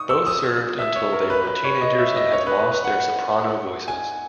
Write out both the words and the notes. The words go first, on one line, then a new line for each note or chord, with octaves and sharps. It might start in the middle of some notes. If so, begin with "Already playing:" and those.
Both served until they were teenagers and had lost their soprano voices.
Already playing: C#6 D#6
E6
D#6
E5
C#5
A#4
B4
B4
C#5
D#5
E5
D#5
C#5
B4
B4
B4
F#5
G#5